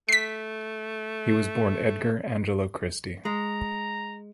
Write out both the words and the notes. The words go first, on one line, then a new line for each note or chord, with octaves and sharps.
He was born Edgar Angelo Christy.
A3 B6 C7
G#3 A#5